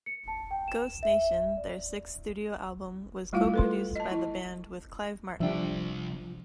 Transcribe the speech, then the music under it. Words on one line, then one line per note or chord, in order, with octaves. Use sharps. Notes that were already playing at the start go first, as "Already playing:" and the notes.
"Ghost Nation", their sixth studio album, was co-produced by the band with Clive Martin.
C#7
A5
G5
E7
E5
D5
G3 A3 E4 F4 F5
A4 B4 C6
D#5 A5
E4
C2 F3 G3 D4 E5 G5